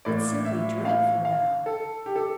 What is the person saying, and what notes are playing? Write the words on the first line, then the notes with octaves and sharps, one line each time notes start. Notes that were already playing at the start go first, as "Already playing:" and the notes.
It's simply dreadful now.
A2 E3 A#3 D5
E5
F5
F5
A4
G4
A4